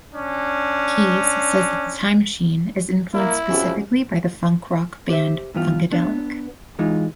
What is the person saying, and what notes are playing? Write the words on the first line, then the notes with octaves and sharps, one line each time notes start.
Keys says that "Time Machine" is influenced specifically by the funk rock band Funkadelic.
C#4 D4
A#3 E4
F2 C#4 F#4 G4
G4 C5 E5
G2 E3 B3 F4
B3 D4
E3 G#3 D#4 F4